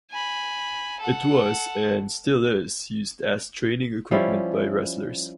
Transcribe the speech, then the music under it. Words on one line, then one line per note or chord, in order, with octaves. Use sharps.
It was and still is used as training equipment by wrestlers.
G#5 B5
A4 F#5
F3 G3 C#4 E4